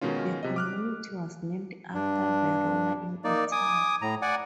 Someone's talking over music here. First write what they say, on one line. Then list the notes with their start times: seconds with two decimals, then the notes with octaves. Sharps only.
The community was named after Verona, in Italy.
0.01 B2 D#3 G#3 C#4 F4
0.43 C3 D#5
0.56 D6 F6 F#6
1.94 G2 D4
3.24 A#3 D#4 D5
3.52 G#5 D6 D#6
4.02 A2 A#5
4.22 D5 F#5 G#5 D6